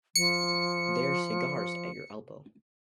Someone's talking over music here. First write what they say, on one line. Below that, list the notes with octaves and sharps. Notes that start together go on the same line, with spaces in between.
There's cigars at your elbow.
F3 C#7